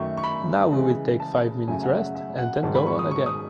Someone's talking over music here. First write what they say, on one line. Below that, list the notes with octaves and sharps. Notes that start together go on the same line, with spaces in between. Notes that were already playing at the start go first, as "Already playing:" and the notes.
Now we will take five minutes' rest, and then go on again.
Already playing: F#2 D#3 A3 C#6
C#6
B5
C#3 E3 G#3
A5
F#2 C#3 F#3 A3 G#5
F#5
E5
E5
F#5
G#2 D#3 F#3 A5
B5
C#6
D#6
C#6
D#6